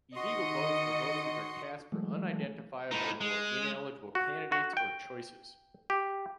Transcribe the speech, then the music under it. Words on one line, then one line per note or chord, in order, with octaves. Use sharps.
Illegal votes are votes which are cast for unidentifiable or ineligible candidates or choices.
D#3 F#4 D#5 C6 C#7
E3 F#3 G#3 A3
A2 D#4
G#3
F#4
F#4
G5
G4